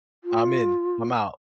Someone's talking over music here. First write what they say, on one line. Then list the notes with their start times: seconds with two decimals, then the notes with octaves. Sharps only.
"I'm in. I'm out."
0.24 F4